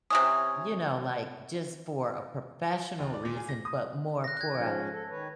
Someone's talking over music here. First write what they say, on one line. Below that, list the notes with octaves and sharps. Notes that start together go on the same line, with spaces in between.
you know, like, just for a professional reason, but more for a
C3 E3 C#4 D#6
D#2
D5
A#2
G#4
A#6
D#6
F#6 A#6
F#6 G#6
G#2 F3 C#4
A4
D#3 B4 C#5